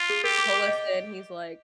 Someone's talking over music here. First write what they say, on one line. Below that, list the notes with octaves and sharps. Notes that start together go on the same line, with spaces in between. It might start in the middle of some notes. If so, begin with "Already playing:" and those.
pull us in. He's like
Already playing: F4
G#4
G4 A#4
D6
D6
D#5